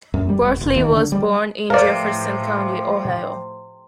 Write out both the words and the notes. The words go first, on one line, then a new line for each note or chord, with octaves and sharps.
Bartley was born in Jefferson County, Ohio.
F#2
G3
F1
F#1
D#2
D3
G3
A2 C3 F3 A#4 B4 D5 F5